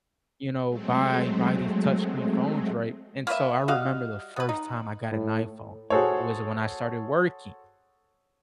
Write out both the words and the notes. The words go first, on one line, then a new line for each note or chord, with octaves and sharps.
you know, buy buy these touchscreen phones, right, and so, I remember the first time I got an iPhone was when I started working
F#3 G#3 A3 C4
A#3 B4 C#5 E5
G3 F#4 D#5 F5
B3 B4
D#4
A2
F#4 G#4 A4 C5 C#5